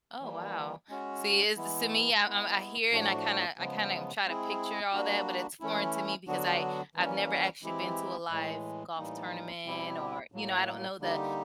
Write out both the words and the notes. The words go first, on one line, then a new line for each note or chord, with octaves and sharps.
Oh, wow. See, it's s me, I'm I'm I hear, and I kinda I kinda m try to picture all that, but it's foreign to me because I I've never actually been to a live golf tournament or, you know, I don't know the
E3 G3 A#3
G#3 C#4 F#4
E3 G#3 B3 E4
G#3 B3 E4
A2 F3 A3 D4 F#4
C#3 F3 G#3 B3
G#3 C4 E4 G#4
G3 A#3 D4 F#4
E3 A3 C#4 E4
D3 F#3 B3 D4 F#4
E3 G3 A#3 C#4
E3 G#3 C4 E4 G4
A2 E3 G#3
A2 E3 G3 A#3 D#4
B2 G3 C4 E4 G4
A2 F#3 A#3
D3 G3 A#3 D#4 G4